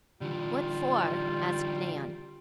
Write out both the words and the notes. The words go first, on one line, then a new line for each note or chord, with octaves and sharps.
"What for?" asked Nan.
D3 E3 G3 F4